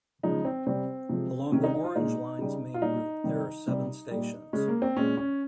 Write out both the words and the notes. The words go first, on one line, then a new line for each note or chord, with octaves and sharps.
Along the Orange Line's main route there are seven stations.
C#3 F3 G#3 D#4
C4
C3 G3 C4
C3 F3 G#3
C3 D#3 G#3 C#4
D#4
D#4
F4
A#2 G#3 D#4
C#3 G3
F4
A#2 G3 D#4
C3 D#3 G3
C3 G3
A#2 G3
C#3 G#3 C#4
A#3
C4
A#2 G#3 C#4
C#4